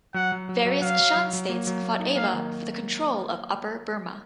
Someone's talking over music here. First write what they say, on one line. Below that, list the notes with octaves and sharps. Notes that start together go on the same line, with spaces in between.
Various Shan states fought Ava for the control of Upper Burma.
F#3 F#5
F#3
F#3
F#3
F#3 F5
F#3
F#3
F#3
A#3
F#3
A#3
D#4
A#3 F5
D#3